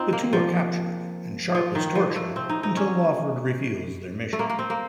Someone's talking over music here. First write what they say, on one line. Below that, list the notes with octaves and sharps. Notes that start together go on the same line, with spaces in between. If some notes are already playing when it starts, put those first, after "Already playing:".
The two are captured and Sharpe is tortured until Lawford reveals their mission.
Already playing: C4 D#4 F4
A#3
F3
F3
D#3
F3
A3
C4
D#4
D#4
C#4
A3
A#3
A#3
C4
A#3